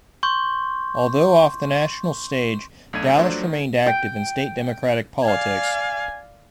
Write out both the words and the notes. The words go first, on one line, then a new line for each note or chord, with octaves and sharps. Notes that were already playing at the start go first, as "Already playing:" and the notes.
Although off the national stage, Dallas remained active in state Democratic politics.
C6 C#6 G6
B1 A3 D4 G#6 D#7
F3 F#3 A3 D4 C5
D#3
G5
D5 F5 G#5